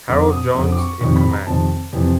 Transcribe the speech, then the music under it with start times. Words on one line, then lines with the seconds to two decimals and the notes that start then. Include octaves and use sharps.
Harold Jones in command.
0.09 F2 D3 D6
0.32 D#6
0.55 F2 D3
0.72 D6
0.78 C#6
1.01 F2 C3 D#3 C#6
1.16 B5
1.31 A#5
1.46 F2 C3 D#3 A5
1.93 F2 C3 E3